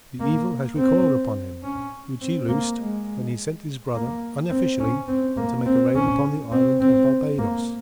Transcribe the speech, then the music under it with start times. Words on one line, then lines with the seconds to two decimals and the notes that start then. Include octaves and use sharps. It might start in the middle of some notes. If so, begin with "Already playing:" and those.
The evil has recoiled upon him which he loosed when he sent his brother unofficially to make a raid upon the island of Barbados.
0.20 A#3
0.77 C4
1.63 C#4
2.21 C4
2.49 A#3
2.78 G#3
3.94 A#3
4.50 C4
4.80 C#4
5.08 C4
5.36 A#3
5.66 C4
5.95 C#4
6.52 C4
6.81 C4
7.38 A#3